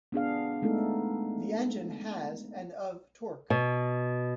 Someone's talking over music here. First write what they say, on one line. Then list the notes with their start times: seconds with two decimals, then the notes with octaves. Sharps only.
The engine has and of torque.
0.12 B3 D4 G#4 F5
0.62 G#3 A3 B3 D#4 A4
3.50 B2